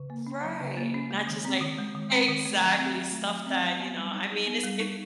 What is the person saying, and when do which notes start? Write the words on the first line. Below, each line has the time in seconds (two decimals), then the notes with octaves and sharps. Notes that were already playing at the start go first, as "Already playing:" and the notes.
Right. Not just, like Exactly, stuff that, you know I mean, it's it
Already playing: C#3
0.10 A#3
0.27 C#4
0.43 F#3
0.61 C#3
0.77 A#3
0.94 C#4
1.11 G#3
1.27 D#3
1.45 C4
1.61 D#3
1.78 G#3
1.95 D#3
2.12 C4
2.28 D#3
2.45 A3
2.62 F#3
2.78 C4
2.95 F#3
3.12 A3
3.29 F#3
3.47 C4
3.63 F#3
3.79 B3
3.96 G3
4.14 D#4
4.30 G#4
4.47 B3
4.64 G3
4.80 D#4